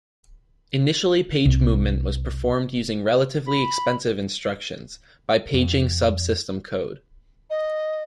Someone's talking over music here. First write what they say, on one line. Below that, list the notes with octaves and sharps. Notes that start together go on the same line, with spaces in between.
Initially page movement was performed using relatively expensive instructions, by paging subsystem code.
C2
B5
F2
D#5